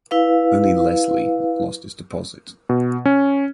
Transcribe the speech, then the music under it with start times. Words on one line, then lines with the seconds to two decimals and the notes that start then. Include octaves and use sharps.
Only Leslie lost his deposit.
0.11 E4 B4 F5
2.69 B2
3.05 C#4